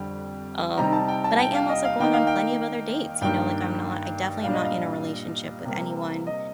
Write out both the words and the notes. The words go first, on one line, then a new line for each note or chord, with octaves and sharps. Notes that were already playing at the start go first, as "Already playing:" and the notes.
Um, but I am also going on plenty of other dates, you know, like, I'm not I definitely am not in a relationship with anyone,
Already playing: F2 D3 G3 D4
C3 G3 C4 D#4 A#5
A5
G5
A5
G5
F5
D#5
F5
D#3 A#3 D#4 G5
F5
G5
G2 D#3 A#3 G5
A#2 G3 D4 F5
D#5
F5
C3 G3 A#3
D#5